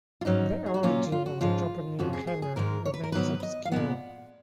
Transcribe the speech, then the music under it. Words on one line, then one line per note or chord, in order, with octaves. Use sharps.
The origin of the toponym "Henna" remains obscure.
F4
G#2 F#3 C#4 D#4
G#4
F#4
A#2 F#3 A#3 C#4 F4
F4
F#4
G#2 F3 G#3 C#4 F4
F2 C#3 F3 F#4
G#4
G#4
G#4
G#2 D#3 G#3 A#4
C#5
B4
A#4
G#2 D#3 F#3 B3 B4
D#5
F5
A#2 G#3 B3 F#5